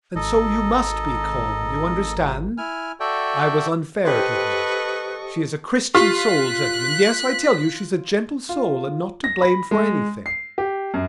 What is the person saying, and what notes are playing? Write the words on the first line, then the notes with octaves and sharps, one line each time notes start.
And so you must be calm, do you understand? I was unfair to her; she is a Christian soul, gentlemen, yes, I tell you, she's a gentle soul, and not to blame for anything.
G#1 A4 D#5 A#5
E4 G#5 F6
F#4 A4 D5 E5 G5
G4 A4 B4 C5 D#5 C#6
F4 G4 F#6 B6
F4
A#6
B5
G#3
C7
G4
F#2